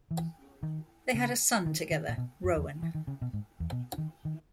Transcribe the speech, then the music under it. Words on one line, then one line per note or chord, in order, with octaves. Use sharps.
They had a son together, Rowan.
E3
D#3
C#3
D#3
D#3
A#2
B2
F#2
E2
E3
D#3
C#3
B2
G#2
E2
B2
D#3
D#3